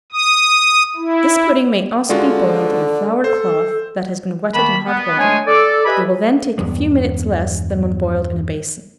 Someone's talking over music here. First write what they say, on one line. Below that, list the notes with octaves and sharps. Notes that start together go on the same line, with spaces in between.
This pudding may also be boiled in a floured cloth that has been wetted in hot water; it will then take a few minutes less than when boiled in a basin.
D#6
E4
D3 G#3 F4 F#4
A4 C5
D#3 A#3 A5 B5
B3
G#3 A3 D4 G#4 C#5 G#5
A4 D5
G4 B4 D#5 E5 G#5 B5
E2 G2 G#3 B3